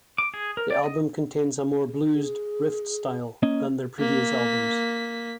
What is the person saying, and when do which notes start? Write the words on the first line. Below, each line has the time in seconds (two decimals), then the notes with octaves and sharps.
The album contains a more blused riffed style than their previous albums.
0.18 D6
0.34 G#4
0.57 A#4
0.71 D5
0.84 D#5
2.15 G#4
3.43 A#3 C#4 D#5
3.99 A#3 B6